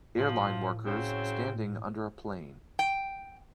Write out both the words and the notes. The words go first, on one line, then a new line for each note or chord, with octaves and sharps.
Airline workers standing under a plane.
A2 F3
C#3 F#3 C4
G5